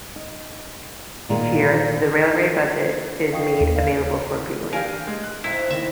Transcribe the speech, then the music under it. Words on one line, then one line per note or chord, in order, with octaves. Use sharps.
Each year, the railway budget is made available for viewing.
D#4
A#2 D#3 F4
D#5 F5 G5 C#6 D#6 C7
D#2
D5 F5
D4 G4 A#4 F5 G#5
G#3 G#4
F#6
B1 C4 D#4 E4 C5
D#3 C4 E4 C5 E5